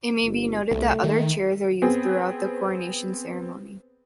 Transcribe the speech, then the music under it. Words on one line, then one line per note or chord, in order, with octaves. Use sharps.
It may be noted that other chairs are used throughout the coronation ceremony.
G1
C2 A3
D#3
B3 C4 G#4